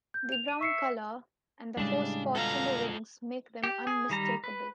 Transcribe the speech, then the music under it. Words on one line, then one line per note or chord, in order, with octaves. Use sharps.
The brown colour and the four spots on the wings make them unmistakable.
G6
F7
D#7
E5 C#6 C7 C#7
A2 C#3 G3 G#3 D4
B2 D3 F4 A4 F5 A#5
G4
G#4
D#3 G3 A#5
B4